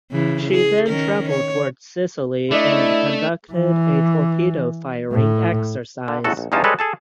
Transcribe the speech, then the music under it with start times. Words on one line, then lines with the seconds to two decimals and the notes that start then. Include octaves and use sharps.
She then traveled toward Sicily and conducted a torpedo-firing exercise.
0.11 C#3 E3
0.51 G#4
0.88 D#3 C#4 A#4
1.30 C#5
2.51 A3 D4 E4 D#5
3.52 E3
5.12 A2
6.08 D3
6.24 A1 E2 F#4 A4
6.37 A#1
6.52 E2 G2 C#4 D#4 F4 A5
6.64 G3 G#3 A4 B4 C#5 D#5
6.79 G#4 A4 A5